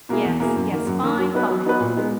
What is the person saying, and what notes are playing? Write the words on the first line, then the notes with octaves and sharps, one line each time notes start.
Yes, yes--fine, fine.
B2 A#3 E4 G#4
E2
B2 A#3 E4 G#4
F#2
D#3 A#3
F#2
D#3 A#3
F#3
B3 D#4 F#4 B4
F#3
B3 D#4 F#4 B4
A#2
G#3 B3 D#4